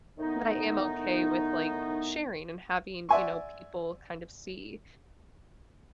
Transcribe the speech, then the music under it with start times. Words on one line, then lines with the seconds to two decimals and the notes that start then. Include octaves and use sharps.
but I am okay with, like, sharing and having, you know, people, kind of, see,
0.18 A2 D#3 B3 D#4
3.09 D5 E5 F#5 G#5 C6 C#6